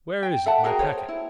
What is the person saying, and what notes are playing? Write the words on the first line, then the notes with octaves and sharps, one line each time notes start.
"Where is it, my packet?"
G5
A4 E5 F#5 A5
F#4 G#4 A#4 G5
A4 C5 C#5
E4